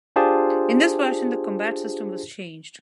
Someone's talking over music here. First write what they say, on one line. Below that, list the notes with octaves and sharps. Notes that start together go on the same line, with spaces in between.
In this version the combat system was changed.
D4 F4 G4 G#4 C5 A5